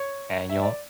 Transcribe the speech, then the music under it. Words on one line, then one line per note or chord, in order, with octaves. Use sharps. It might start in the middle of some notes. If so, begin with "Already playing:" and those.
and you won't
Already playing: C#5
E5
D5